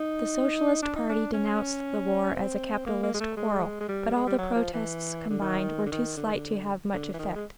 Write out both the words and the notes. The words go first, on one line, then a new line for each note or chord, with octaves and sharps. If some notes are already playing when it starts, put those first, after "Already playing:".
The Socialist party denounced the war as a capitalist quarrel; but all the protests combined were too slight to have much effect.
Already playing: D#4
D4
D#4
D4
C#4
C4
A#3
A#3
G#3
A3
G#3
G#3
G3
G#3
G3
F#3
F3
E3
D3
D#3
D3
D#3
D3
D#3
D3
D3
E3
D#3
G#3